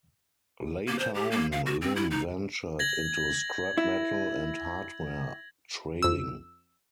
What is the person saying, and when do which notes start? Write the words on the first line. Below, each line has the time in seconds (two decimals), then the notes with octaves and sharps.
Later on Lim ventured into scrap-metal and hardware trading.
0.88 A#3
0.99 C5
1.15 G4
1.31 A#3
1.52 F5
1.66 F#4
1.82 C4
1.96 E4
2.11 D#4
2.79 G#6 A#6 F#7
3.78 E4
6.02 F2 E6